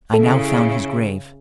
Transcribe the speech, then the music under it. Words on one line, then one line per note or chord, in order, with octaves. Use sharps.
I now found his grave.
C#3 E4 A4